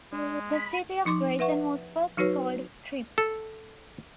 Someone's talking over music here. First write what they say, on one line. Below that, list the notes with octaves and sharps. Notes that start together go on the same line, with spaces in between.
The city of Grayson was first called Trip.
G#3 D4
B5
F3 D#4 C6 D6
B4 E5 F#5 C#6
F#3 D#4 F#4 B4 C#5
A4